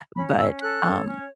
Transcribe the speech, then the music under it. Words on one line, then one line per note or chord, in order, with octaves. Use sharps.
but, um,
C#4 B5
C#4 E6
A4 F#6
C#5
C#4